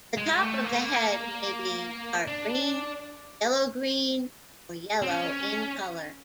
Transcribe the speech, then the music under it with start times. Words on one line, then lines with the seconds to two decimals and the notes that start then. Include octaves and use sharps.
The top of the head maybe dark green, yellow-green or yellow in colour.
0.17 G#3
0.41 A3
0.64 A#3
0.73 A3
0.81 A#3
2.27 D4
5.02 C4
5.08 C#4